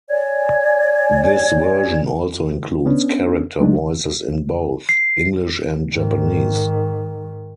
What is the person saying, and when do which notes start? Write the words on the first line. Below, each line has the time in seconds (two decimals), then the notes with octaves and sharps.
This version also includes Character voices in both English and Japanese.
0.09 C#5 D5 G#5 G#6
2.86 B3 C#4 D4
3.60 F#3 G#3 A3 D4 D#4
4.89 C7
5.93 G#2 D#3